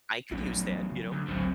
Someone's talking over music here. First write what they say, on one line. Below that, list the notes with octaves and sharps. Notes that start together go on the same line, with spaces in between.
"I could use that," you know.
A#1 E2 A2 F#3
F#3
C#3 F#3
D2
A1 D2 G#2 F#3 C4